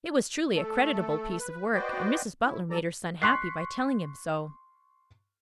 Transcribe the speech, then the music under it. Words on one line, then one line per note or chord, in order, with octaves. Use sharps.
It was truly a creditable piece of work, and Mrs. Butler made her son happy by telling him so.
A3 A4
B4
F#4 B4 C5 D5 D#5 G5
E4
F#3 A4 D5 A#5
C6 C#6 F#6 B6 C7